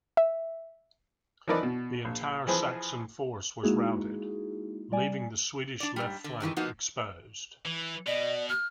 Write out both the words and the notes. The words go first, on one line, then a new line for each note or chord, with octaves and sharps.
The entire Saxon force was routed, leaving the Swedish left flank exposed.
E5
E3 F3 D#4 A#4 B4 D5
B2
A#1
E3 F3 G#4 B4 C5
G#3 A#3 D#4 E4 F#4 G#4
G3 D5 G#5
D4 D5
G#2 B2 G3
D3
C3 D#3 E3 G#3
F3 A#3 B3 D#4 F#4
E3
B2 D5 D#5
F6